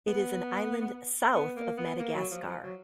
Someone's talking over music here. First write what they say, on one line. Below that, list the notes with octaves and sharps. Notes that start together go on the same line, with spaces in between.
It is an island south of Madagascar.
B3
B3
A#3
B3
A#3
F#3
F3
F3
F#3